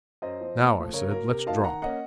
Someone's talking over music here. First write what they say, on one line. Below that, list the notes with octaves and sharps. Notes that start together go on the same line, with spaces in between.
"Now," I said, "let's drop."
F#2 C5 D#5
F3 C4
A#2
F3 A3
C#3 A#4 C#5
F#3 A#3 A#4
C3 A#4
F#3 A#3 D#4 F5 A5
D#3 F#5 A#5
A#3 C#4 D#5 F#5